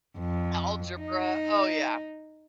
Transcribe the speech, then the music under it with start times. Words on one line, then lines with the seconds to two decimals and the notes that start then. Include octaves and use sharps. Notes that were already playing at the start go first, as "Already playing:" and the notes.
Algebra, oh yeah,
0.18 F2
0.99 D#4